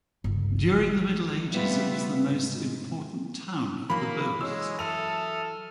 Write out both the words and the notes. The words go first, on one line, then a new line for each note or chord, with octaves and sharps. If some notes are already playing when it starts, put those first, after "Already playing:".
During the Middle Ages, it was the most important town of the Beauce.
G1 C#2
G3 A3 B3 F4 B4 E5
G#2
E3 F#3 A#3 B5
G#3 G#4 C#5 E6
A4 E5 D#6 F6 F7